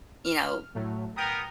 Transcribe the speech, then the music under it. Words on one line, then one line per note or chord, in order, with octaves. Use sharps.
you know,
F6
A2 F#3 A3
B3 A#4 G5 A#5 D#6